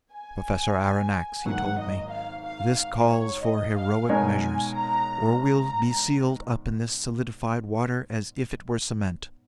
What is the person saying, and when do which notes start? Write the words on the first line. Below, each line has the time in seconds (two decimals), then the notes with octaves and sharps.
"Professor Aronnax," he told me, "this calls for heroic measures, or we'll be sealed up in this solidified water as if it were cement."
0.13 G#5
1.45 G#1 G#2 F#3 A#3 F#5
1.79 D#5
2.11 F5
2.45 F5
2.77 F5
3.10 C#5
3.44 D#5
3.77 F5
4.09 B2 G#3 D#4 A#4 C#5 G#5
4.75 A#5
5.42 A#5